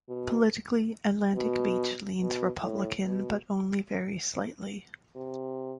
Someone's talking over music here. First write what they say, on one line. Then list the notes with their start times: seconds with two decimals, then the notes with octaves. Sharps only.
Politically, Atlantic Beach leans Republican but only very slightly.
0.09 B2
1.36 B2
2.21 B2
2.62 A2
3.05 B2
5.16 C3